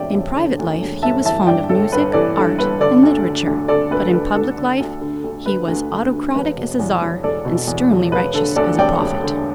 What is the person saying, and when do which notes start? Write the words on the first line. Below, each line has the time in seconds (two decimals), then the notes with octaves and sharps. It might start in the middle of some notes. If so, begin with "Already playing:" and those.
In private life he was fond of music, art, and literature; but in public life he was autocratic as a czar and sternly righteous as a prophet.
Already playing: E1 D2 D3 D5 E5 G5
0.14 E1
0.36 D3
0.59 D2
0.81 E1
1.03 G1 E5 A5
1.25 E3 E5 A5
1.47 G2 D5 G5
1.69 G1 A4
1.92 G1 B4
2.13 E3 A4 D5
2.36 G2 A4
2.58 G1 B4
2.81 D3 A4 D5
3.03 D2
3.25 D3
3.47 D2
3.68 D3 A4 D5
3.91 D2 B4
4.13 D3 B4
4.35 D2 A4
4.57 D3
4.80 D2
5.01 D3
5.24 D2
5.46 D3 B4
5.68 D2
5.90 D3
6.13 D2
6.35 E1 B4
6.57 B2
6.79 E2
7.01 E1
7.23 E1 A4 D5
7.45 B2
7.67 E2
7.90 E1
8.12 E1 B4
8.34 D3 A4
8.56 D2 A4 D5
8.78 E1 D5 G5
9.01 E1
9.23 D3